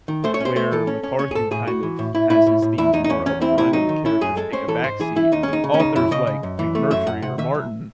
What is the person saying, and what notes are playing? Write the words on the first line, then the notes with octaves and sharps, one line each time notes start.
where McCarthy kind of has his themes more upfront, and the characters take a backseat, authors like McMurtry or Martin,
D#3
A3 C5
C#5
C#4 C5
A3 C5
E3 A4
C#4
C#4
C#4 C#5
G#4
G#2 A4
A2 G#4
A2 F#4
E3
A2
A2 E4
A2 E4
A2
A2
E2 E4
E2 D#4
D#4
E2 C#4
E2 C#4
C4 E4
C3 E4
F#3 D#4
D#3
C#4 E4
F#2 G#4
G#3 A4
C#4 C5
E3 A4
G#2 C5
E3 G#4
E3 E4
D#2 D#4
C#4
G#3 D#4
C#3
C#4
C#3 D#4
F#2 E4
C#3 D#5
C#3
F#2
E3
A3
F#2 E5
F#2 F#5
C3 F#5
D#3 E5
C2